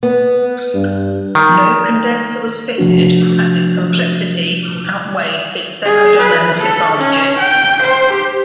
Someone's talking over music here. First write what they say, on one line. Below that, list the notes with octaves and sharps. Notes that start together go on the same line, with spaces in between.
No condenser was fitted, as its complexity outweighed its thermodynamic advantages.
B3
G2
D#3
C3 F3 A3 D4 F#4
G#4
B4
A4
C#4
G5
C5
G4